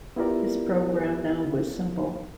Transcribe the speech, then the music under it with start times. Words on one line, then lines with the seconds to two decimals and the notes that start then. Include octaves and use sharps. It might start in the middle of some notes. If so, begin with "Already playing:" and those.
His program now was simple.
0.16 B3 E4 F4 G4 A#4 D5